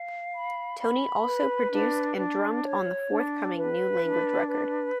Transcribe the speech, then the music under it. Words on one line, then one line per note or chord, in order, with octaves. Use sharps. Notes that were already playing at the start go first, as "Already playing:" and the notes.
Tony also produced and drummed on the forthcoming New Language record.
Already playing: F5
B5
B5
B4
D4
D4
C#5
D4
B4
D4
B4